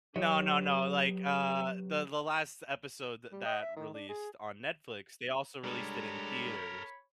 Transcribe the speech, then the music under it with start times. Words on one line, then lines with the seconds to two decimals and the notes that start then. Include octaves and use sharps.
No, no, no, like, uh, the the last episode th that released on Netflix, they also released it in theaters.
0.16 F#3 G4 B4 C#5 D#5
3.32 G3
3.45 D#5
3.62 E5
3.76 D#3
3.94 D4
4.09 G#4
5.64 G3 G#3 D4 A4 A#4 C#5 B5